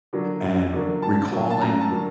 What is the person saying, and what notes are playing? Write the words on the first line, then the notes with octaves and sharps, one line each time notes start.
and recalling
D3 F#3 A#3
F#2
D3 F#3 A#3
F#2 A5
D3 F#3 A#3
A5
F#2 A#5
A5
D3 F#3 A#3